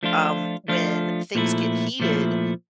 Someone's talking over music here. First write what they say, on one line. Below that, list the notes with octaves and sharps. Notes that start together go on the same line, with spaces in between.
Um, when things get heated,
F3 A3 D4 F4
F3 A3 D4 F4
A#2 F3 A3 E4
A#2 F3 A3 E4